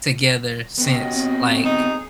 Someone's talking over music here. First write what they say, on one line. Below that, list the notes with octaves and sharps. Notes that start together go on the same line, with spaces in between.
together since, like,
B3 C#4 F#4 G4 D#5
C4
D#4 G#4